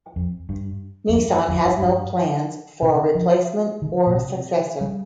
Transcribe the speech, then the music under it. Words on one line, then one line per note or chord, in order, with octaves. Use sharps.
Nissan has no plans for a replacement or successor.
F2
G2
F2
G2
F2
G2
G2
C3
F3
D#3
A#2
C3
G3